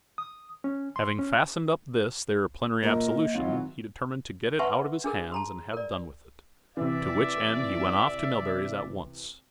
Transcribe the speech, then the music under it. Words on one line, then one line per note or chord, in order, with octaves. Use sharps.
Having fastened up this their plenary absolution, he determined to get it out of his hands and have done with it; to which end he went off to Melbury's at once.
D#6
C#4
C6
C#4
A#2 A#3 A#4 D#5
G#1 E3 F#3 F4
B4 E5 F#5 A5 C6 C#6
D4 G#4 A#4
A5 A#5 C6
A#4 D5
C3 E3 D5 E5